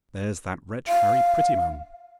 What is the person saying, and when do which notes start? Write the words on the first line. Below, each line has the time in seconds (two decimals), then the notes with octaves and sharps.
There's that wretch Harry Prettyman.
0.88 F5